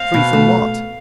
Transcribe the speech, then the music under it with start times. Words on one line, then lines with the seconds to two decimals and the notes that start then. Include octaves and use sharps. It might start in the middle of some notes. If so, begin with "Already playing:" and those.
Free from what?
Already playing: C4 F5
0.14 B2
0.33 A3